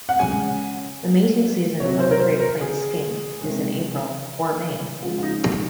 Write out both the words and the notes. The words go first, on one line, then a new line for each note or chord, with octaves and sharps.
The mating season of the Great Plains skink is in April or May.
F#5
C#3 G#3 G#5
C3 F#3 C#5
C5
A#4
C5
A#4
G#4
C3 D#3 G#3
C#3 F3 G#3 F4
F4
D#4
D#4